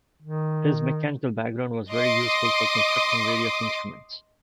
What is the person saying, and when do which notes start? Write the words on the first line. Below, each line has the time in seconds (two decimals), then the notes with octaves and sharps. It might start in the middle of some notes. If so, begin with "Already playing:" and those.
His mechanical background was very useful for constructing various instruments.
0.22 D#3
1.92 D#5 C6 D6 D#6